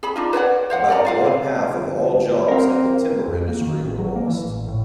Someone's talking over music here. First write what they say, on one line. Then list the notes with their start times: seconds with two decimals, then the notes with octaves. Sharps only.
About one-half of all jobs in the timber industry were lost.
0.03 G#4 B5
0.16 D4 D#4 F4
0.33 B4 C#5 D5 F#5
0.70 C5 F5 F#5
0.88 A#4 D5 A#5
1.05 F4 F5 F#5
1.66 G1
2.48 C4 A#4 F5
3.28 F2
3.48 A#3
3.61 D#3
3.80 A1
3.98 F#3
4.16 A#3
4.28 E3
4.43 A1
4.68 A2